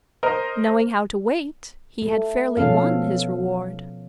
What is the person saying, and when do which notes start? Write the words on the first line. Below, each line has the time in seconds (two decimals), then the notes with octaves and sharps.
Knowing how to wait, he had fairly won his reward.
0.23 A#4 C5 D#5 F6
2.02 A3
2.57 B2 F3 C#4 A4 F5